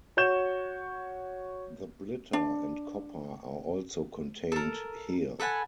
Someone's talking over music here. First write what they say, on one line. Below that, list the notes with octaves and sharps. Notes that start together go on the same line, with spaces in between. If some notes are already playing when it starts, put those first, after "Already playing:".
The Blitter and Copper are also contained here.
F#4 C#5 C#6 G6 E7
D4
A4 A#4
A4 B4 F#5 G#5